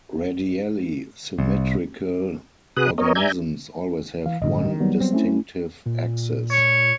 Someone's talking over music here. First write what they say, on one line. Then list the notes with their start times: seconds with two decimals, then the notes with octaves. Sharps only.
Radially symmetrical organisms always have one distinctive axis.
1.39 C2
2.77 C3 F#4 G#4 B4 D#6 F#6
2.98 B3 A#4 C#5 D#5
3.15 D5 E5 G#5 A#5 G6 G#6
4.26 E3 F5
4.42 D1 D2 G2 D#5
4.65 D#3
4.80 F#3 G3 B3
5.01 C4
5.13 A3 C#4 E4
5.86 A#2
6.51 C#5